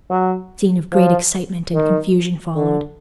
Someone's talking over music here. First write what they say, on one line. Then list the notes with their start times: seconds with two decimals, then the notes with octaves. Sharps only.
A scene of great excitement and confusion followed.
0.10 F#3
0.92 F3
1.74 D#3
2.56 D3